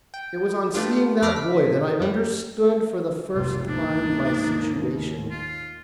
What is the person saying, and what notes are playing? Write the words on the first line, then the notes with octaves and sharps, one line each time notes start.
It was on seeing that boy that I understood, for the first time, my situation.
G5
A3 B3 D4 F4 G4
F2 B5 D6 F6 A#6 C7
B6
F#2 G3
F1 B1 G#2 C3 F4
G#1 D2 G#2 E3 A#3 D4 D#4
E3
D#2 D#3
F4